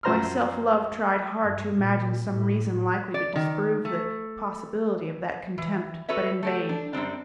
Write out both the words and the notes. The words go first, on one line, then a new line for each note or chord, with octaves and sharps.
My self-love tried hard to imagine some reason likely to disprove the possibility of that contempt, but in vain.
F#2 F3 C5 A#5 C6 F6
G2
A#2
A2
D5
D#3
A3
E3
F#4 A4 B4 C#5 E5
A3 G4 A4
D4
F#2 G3 C4 D4